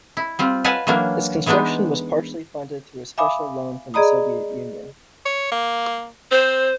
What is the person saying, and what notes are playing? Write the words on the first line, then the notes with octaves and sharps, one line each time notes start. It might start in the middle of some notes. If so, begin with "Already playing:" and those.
Its construction was partially funded through a special loan from the Soviet Union.
E4
G3 C4 F4
B4 F5 F#5 G#5 A5
E3 F#3 A#3 C#4 D4
E3 G#3 B3 D4 D#4
E5 F5 G#5 B5 D6 D#6
G#4 D5 D#5 A#5 B5 D#6
C#5
A#3
C4 C5